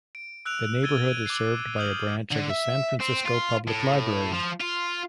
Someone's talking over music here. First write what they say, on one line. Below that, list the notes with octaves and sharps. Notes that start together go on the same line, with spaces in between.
The neighborhood is served by a branch of the San Francisco Public Library.
D7
E6 F#6 D7 F7
E6 G#6 A6 D7 D#7 G7
D7 D#7
D6 C7
D#6 F6 G6 F#7
D3
E5
C4
F4
A2
F3
F4